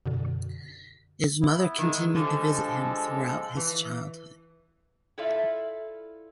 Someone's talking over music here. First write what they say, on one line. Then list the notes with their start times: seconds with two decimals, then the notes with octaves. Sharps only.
His mother continued to visit him throughout his childhood.
0.06 F#2 B2 D3
1.41 B3 E4
1.78 D#3 G#3
2.15 D3 F3 G3 G#3 A4
3.56 E3
5.18 E4 F4 A4 D5 E5 F5